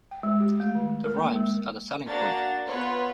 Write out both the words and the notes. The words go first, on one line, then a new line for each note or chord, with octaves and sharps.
The rhymes are the selling point.
G5
G#3
G4
A3
D#3
A#4
A#3
G#3
A#3 D4 F#4 A#5 A6
B3 F4 B4 C#5